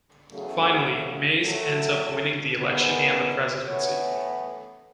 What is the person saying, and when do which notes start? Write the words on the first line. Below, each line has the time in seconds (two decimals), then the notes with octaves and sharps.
Finally, Mays ends up winning the election and the presidency.
0.32 E2 C#3 F#3 A3 G#4
1.44 A2 F#3 A3 A4
2.55 E2 D#3 G#3 B3
3.10 B4
3.65 A2 E3 B3 C#5